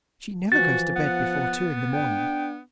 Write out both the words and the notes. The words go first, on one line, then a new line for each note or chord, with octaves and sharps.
She never goes to bed before two in the morning.
E3 F3 F#4 A6
B3 F#5
D4 G5